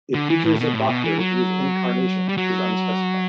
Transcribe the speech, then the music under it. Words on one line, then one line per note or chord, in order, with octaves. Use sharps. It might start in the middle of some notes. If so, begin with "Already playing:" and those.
It features a Doctor whose incarnation is unspecified.
D3
E3
A2
B2
A2
B2
E3
F#3
G3
F#3